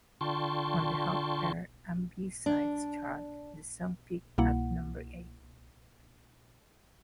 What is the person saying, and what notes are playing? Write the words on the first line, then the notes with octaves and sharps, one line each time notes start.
On the Hot R and B Sides chart, the song peaked at number eight.
D3 F4 G5 A5 C6 C#6
D4
C2 B2 A#3 E4 F#5